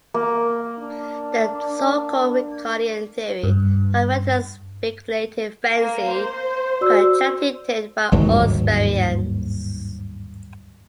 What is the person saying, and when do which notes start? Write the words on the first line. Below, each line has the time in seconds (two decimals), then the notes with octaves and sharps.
The so-called Ricardian theory of rent is a speculative fancy, contradicted by all experience.
0.14 A#3
0.79 D4
3.43 G2
5.77 A#3
6.10 C5
6.81 F#4 D5 E6
8.12 G1 D#2 G#2 F#3